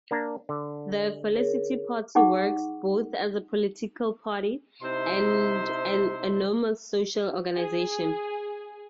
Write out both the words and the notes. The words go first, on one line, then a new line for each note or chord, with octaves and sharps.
The Felicity Party works both as a political party and an enormous social organization.
A#3 D4 A#5
D3
G#4 A#4 C#5
D#4 G#4 F#5 C#6 D6
C3 D#4 E4 C5 E5 C6
G#4